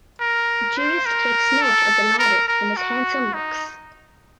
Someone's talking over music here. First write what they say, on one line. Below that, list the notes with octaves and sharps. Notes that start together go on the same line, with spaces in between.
Judith takes note of the latter and his handsome looks.
A#4
C5
A#4
A4
A#4
A#4
F#4
D#4